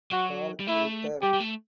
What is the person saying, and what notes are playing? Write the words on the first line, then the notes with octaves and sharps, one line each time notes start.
Carl Ritter.
F#3 F#4
G3
A3 E4
G3 G4
G3
A3